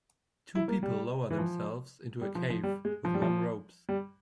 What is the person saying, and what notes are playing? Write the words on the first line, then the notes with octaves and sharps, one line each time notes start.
Two people lower themselves into a cave with long ropes.
E4
A#3
G3
E3
F3
G3
F3
F3
G3
G#3
F3
G3
F3
G3